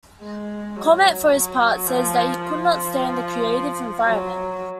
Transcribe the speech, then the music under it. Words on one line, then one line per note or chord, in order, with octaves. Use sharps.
Chomet, for his part, says that he could not stand the creative environment.
G#3
F#3
F#3
F3
F3
F#3